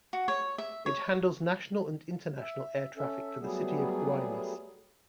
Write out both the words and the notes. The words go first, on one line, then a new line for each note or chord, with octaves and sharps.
It handles national and international air traffic for the city of Guaymas.
F#4
C#5
E5
C#5
E5
C#4 A4 E5
F#3 G3 A3 B3 G#4